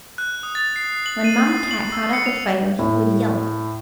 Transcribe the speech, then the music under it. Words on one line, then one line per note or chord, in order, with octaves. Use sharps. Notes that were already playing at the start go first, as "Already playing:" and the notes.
When Mamma Cat caught up with Fido he would yelp.
F#6
D#6
A6
C7
F#7
D#7
C7
F#7
E6
C#7
F7
A2